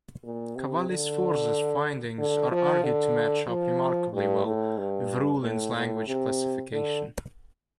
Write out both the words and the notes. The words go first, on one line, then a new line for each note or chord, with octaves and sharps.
Cavalli-Sforza's findings are argued to match up remarkably well with Ruhlen's language classification.
A#2
C3
D3
D3
F3
D3
F3
G2
A2
G2
A2
A2
C3
D3